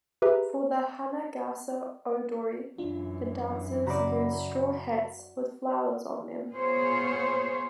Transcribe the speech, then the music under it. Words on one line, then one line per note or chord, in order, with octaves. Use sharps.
For the Hanagasa Odori, the dancers use straw hats with flowers on them.
G4 G#4 B4 E5 A#5
F#2 E3 D4 F4
C#3 F#4 D5 A#5 B5
B3 F4 G#4 C5 C#5